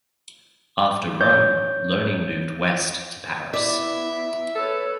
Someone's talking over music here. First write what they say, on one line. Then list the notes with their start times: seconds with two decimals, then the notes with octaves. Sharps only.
After Rome, learning moved west to Paris.
1.21 C#5 G6
3.54 B3 E4 D5 E5
4.55 A4 B4 C#5